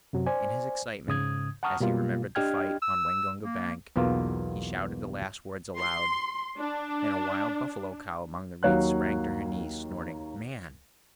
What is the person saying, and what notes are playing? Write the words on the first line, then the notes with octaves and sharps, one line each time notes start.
In his excitement, as he remembered the fight on Waingunga bank, he shouted the last words aloud, and a wild buffalo-cow among the reeds sprang to her knees, snorting, "Man!"
F#2 C3 F#3
C5 D5 G#5
G#2 C#3 D#6 G#6
F#5 A5 A#5 C#6 D#6 F6
B2 G3 A#3 F4
D4 G4 D#5 G5 F6 G#6
E6
A#3
B1 E2 B2 A#3 F4
C6
D4
D#2 F#3 C#5 F5 F#6